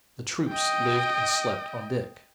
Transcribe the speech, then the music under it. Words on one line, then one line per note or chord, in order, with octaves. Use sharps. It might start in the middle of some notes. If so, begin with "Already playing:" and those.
The troops lived and slept on deck.
D#5 G5